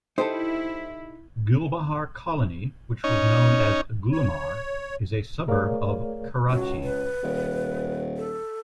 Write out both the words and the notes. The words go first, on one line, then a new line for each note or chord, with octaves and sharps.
Gulbahar Colony, which was known as Golimar, is a suburb of Karachi.
D#4 E4 G4 A4 C5
C#4 D#4 C#5
C#5
A3 G#4 A#4 C#5 D5 F5
C#2 F#4
B4
D#1
A4